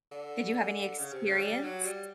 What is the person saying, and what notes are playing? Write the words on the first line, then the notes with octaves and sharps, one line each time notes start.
Did you have any experience?
D3
C#3
C3
C#3
G3
F#3
G3